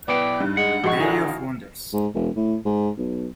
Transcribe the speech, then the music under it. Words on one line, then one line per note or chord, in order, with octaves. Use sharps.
Day of wonders!
B1 B3 E4 D5 G5
G2 D#4
G#3 F#5
A#1 G#3 F#4 D#5 C#6 C7
D3 D#4 E4 G#5
F5
G#2
E1
A2
G#2
B1